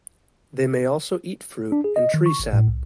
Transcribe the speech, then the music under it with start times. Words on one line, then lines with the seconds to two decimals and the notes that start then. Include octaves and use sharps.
They may also eat fruit and tree sap.
1.72 D4
1.84 G#4
1.96 D#5
2.14 D#3
2.26 C#6
2.40 G#1
2.53 A2
2.68 C2